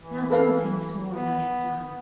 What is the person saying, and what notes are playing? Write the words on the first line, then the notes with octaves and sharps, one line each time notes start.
Now two things more, and I have done.
E3
A4 B4 F5
B3
B3